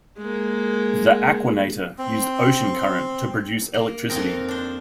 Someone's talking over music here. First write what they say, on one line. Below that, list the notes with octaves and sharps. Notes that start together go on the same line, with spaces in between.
The Aquanator used ocean current to produce electricity.
G#3 A#3
C4
A#3
F2 C4 D#4 A#4
D4 C5